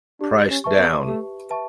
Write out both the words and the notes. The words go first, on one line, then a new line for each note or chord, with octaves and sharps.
Price down.
D4 G4
C#4
B4 E5 A5 C#6
B3
A3 G4
B4 E5 A5 C#6